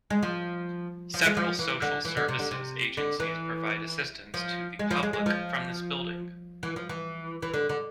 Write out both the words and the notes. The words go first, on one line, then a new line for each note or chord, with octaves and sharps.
Several social services agencies provide assistance to the public from this building.
G#3
F3
F3
G#3
F3
E3
D3
E3
D3
C3
D3
C3
D3
E3
F3
G#3
F3
G#3
G#3
F3
E3
F3
E3
E3
D3
D3